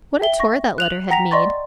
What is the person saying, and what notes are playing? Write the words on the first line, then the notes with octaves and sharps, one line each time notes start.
What a tour that letter had made!
E5 G5 G7
C#6 A#6
F#6 F7 F#7
F#5 G5 A#5 A#6 B6 F7
D5 D#5 C6 C#6 A6